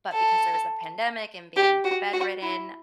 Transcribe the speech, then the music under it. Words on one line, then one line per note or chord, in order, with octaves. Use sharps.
But because there was a pandemic and being bedridden,
A4
G4
F#4
F#4
E4